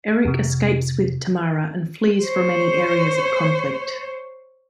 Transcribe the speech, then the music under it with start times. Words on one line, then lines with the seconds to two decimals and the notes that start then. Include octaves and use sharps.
Erik escapes with Tamara and flees from any areas of conflict.
0.25 F2 C3
2.22 C5 C#5